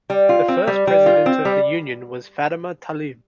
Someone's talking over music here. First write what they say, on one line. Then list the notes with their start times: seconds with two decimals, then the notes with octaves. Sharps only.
The first president of the Union was Fatima Talib.
0.10 G3
0.29 F4
0.48 C4
0.67 G3
0.87 G3
1.06 F4
1.26 C4
1.45 G3